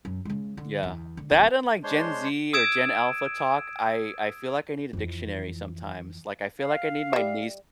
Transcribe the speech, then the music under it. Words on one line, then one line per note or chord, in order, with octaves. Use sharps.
Yeah, that unlike Gen Z or Gen Alpha talk, I I feel like I need a dictionary sometimes. Like, I feel like I need my niece
F#2
C#3 G#3
D3
E2
D3
D1
G#3 D4 C5 C#5 C6
D#6 E6 G#6 D7 E7
F2 E3
F5
G3 E5